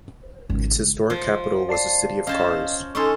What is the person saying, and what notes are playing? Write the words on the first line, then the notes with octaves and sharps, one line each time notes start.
Its historic capital was the city of Kars.
G#1 C#2
F3
D5 A5 C7
C#4 C5 D#5 F5 A5
C#4 D#4 A4 G#5 C6 C#6